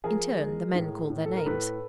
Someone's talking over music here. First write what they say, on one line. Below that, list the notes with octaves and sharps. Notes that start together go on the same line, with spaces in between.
In turn the men called their names.
F3 G#4 A#4
G#3
A2
A2
A4
A#4
A2 A4 B4